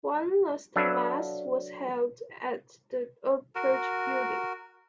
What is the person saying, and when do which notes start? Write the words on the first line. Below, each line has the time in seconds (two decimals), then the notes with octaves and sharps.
One last Mass was held at the old church building.
0.76 F#3 D4 A4 B4 E5 F5
3.55 F#4 A#4